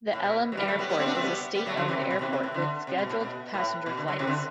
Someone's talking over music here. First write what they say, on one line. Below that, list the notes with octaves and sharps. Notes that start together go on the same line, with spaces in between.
The Elim Airport is a state-owned airport with scheduled passenger flights.
A2
B2
F#3
E3 G3
F#3 A3
G3 B3
G3 B3
A3 C4
B3 D4
A3 C4
G3 B3
G3 B3
F#3 A3
D3 F#3
C3 E3
C3
B2
C3 E3
C3
A2
D3
C3
B2
A2
B2
A2
B2
D3
D3 F#3
C3 E3
D3